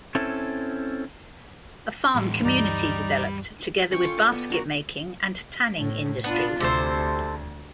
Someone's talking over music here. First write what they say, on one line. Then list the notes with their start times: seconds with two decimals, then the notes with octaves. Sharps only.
A farm community developed, together with basket making and tanning industries.
0.15 C4 C#4 E4 A4
2.15 E2 A2 G#3
2.45 D2 G2 E3 G3 D#4 D5 A#5
3.91 C#4 C#5 G5 C#6
4.03 F4 A4 G5
4.18 D5 G5
4.32 B3
4.50 D4 F#4 A#4
5.78 A2
6.24 B3 D4 F4
6.60 D2 C3 A4 C5